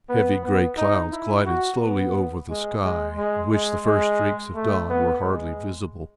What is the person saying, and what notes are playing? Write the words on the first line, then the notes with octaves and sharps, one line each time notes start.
Heavy grey clouds glided slowly over the sky, in which the first streaks of dawn were hardly visible.
B3
B3
D#4
E4
F#4
B3
G#3
G#3
G#3
G#3
G#3
A3
B3
G#3